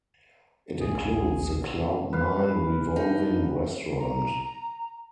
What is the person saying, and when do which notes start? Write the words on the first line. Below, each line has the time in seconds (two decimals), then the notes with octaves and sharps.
It includes the Cloud Nine revolving restaurant.
0.81 A#1 D#2 G#4
2.13 B4 F5
2.96 D4 D#4
4.00 A#5